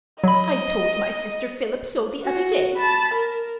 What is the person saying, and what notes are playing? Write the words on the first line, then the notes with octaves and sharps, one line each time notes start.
I told my sister Phillips so the other day.
F#3 D#5 B5
F#4
A5 B5
A#4